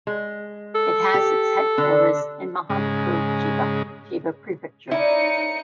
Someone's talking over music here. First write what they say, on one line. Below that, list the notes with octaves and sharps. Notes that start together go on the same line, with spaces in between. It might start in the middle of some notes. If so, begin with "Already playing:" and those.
It has its headquarters in Mihama-ku, Chiba, Chiba Prefecture.
G#3
A4
G4
D3 D4
G#2 C#3 G#3
C#4 D#4 E4 A#4 D5 C#7